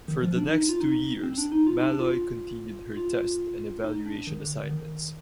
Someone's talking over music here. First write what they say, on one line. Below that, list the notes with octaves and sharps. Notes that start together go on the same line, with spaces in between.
For the next two years, "Maloy" continued her test and evaluation assignments.
D#3
F3
D4
D#4
D#4
F4
D#4
C4
D4
D#4
F4
D#4
D4
F4
F4
D#4
D4
D#3
D3
D3
D#3